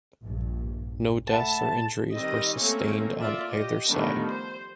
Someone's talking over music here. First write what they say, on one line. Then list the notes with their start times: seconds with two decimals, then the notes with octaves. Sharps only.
No deaths or injuries were sustained on either side.
0.22 A#1 G2
1.28 A3 E5 F#5 A5 B5
2.12 D#3 G3 C4 D#5
2.56 A3 A#3 C4 C#4
3.19 F4 D5 E5
3.51 G4 D#5
3.88 D#3 F3 G3 A3 B3 D4
4.28 C5